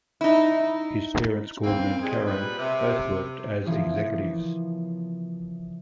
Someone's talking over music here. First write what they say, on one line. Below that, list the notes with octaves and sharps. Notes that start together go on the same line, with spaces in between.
His parents, Gordon and Karen, both worked as executives.
D#4 E4
E3 A#3 C4
A#2 G3 G#3
A#2 G3 B3 B4
C3
C#3 E3 F3 A#3 B3